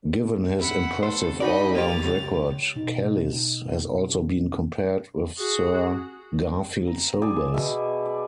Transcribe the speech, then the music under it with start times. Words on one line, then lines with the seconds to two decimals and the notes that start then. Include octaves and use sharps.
Given his impressive all-round record, Kallis has also been compared with Sir Garfield Sobers.
0.59 E4 F#5
1.03 A4 C5
1.40 D#4 F#4 D5 D#5 B5
1.75 A#3 G4 A6 F7
2.05 C#2
2.76 B2 D#4
5.39 F#4 G#4
6.87 A#5
7.22 G#4 D5 G#5
7.54 B2 E5
8.06 D5